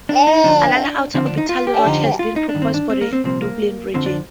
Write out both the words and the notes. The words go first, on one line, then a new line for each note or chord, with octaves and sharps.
Another outer orbital road has been proposed for the Dublin region.
D4
D#4
D2 D3 F3 D4
D#2 D3 F3 C4
D4
D#4
F4
G4
F2 D3 F3
F4
D#4
D4
G2 D#3
C4
D4
C4
A#3
C4
C2 A#2 F3 C4
A#3
F2 D3 F3 C4
D4